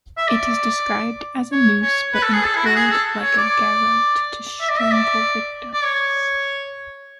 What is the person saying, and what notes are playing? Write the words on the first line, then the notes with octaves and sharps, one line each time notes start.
It is described as a noose but employed like a garotte to strangle victims.
E5
D5
C#5
C#5
B4
A4
G#4
A4
E4
F#4
G#4
A4
C#5
D5
E5
D5
E5
D5
D5
C#5